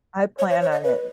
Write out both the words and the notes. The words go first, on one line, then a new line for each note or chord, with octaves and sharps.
I plan on it.
C#5
C#5
C#5
D#5
B4